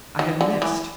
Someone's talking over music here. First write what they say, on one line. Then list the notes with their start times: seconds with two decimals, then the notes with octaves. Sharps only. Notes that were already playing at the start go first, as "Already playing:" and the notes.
I had missed!
0.19 D#3
0.41 D3
0.62 E3